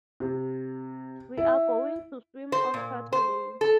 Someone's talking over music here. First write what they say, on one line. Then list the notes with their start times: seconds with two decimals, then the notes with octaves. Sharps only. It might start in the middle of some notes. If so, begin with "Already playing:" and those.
We are going to swim on Saturday.
0.20 C3
1.37 E4
2.52 C5
2.74 A#2
3.13 C5
3.61 A4